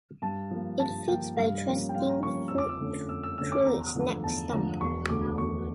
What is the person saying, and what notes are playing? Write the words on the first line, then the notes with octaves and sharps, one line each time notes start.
It feeds by thrusting food through its neck stump.
G2 A5
F3 A#3
G2 A5
F3 A#3 G5
G2 F5
F3 A#3 C#4
G5
G2 F5
A#5
F3 A#3 C#4 C#6
F2 E6
D6
E6
D3 A3 C#4
F2 E6
E6
D3 A3 C#4 E6
D6
E2 A#5
D3 F3 A3
E2 A5
D3 F3 A3 A#5
E1 C#6
D2 D3 A3 D6
E1 C#6